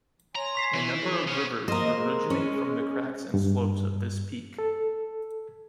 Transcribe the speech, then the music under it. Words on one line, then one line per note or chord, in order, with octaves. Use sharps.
A number of rivers originate from the cracks and slopes of this peak.
C#5 G#5 A#5 C6
C#6 B6 C7
E3
G#4 A#4 C#5
B3 C#4 C5
A#3 A#4 C5 D#5
G#3
C#4
G2
A4